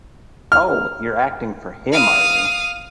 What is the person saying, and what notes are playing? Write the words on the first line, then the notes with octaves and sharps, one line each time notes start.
Oh, you're acting for him, are you?
F6
F5 D#6